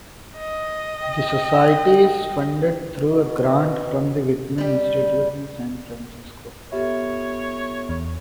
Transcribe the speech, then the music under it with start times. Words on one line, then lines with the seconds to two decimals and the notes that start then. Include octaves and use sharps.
The Society is funded through a grant from the Whitman Institute in San Francisco.
0.36 D#5
1.02 G5
3.13 B2
4.58 G3 G4
6.72 B3 F4 G4 A4 C#5 E5
7.89 E2